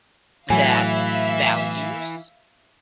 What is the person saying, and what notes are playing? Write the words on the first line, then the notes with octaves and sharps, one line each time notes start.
that values
A2 E3 F#3 E5 F5 G#5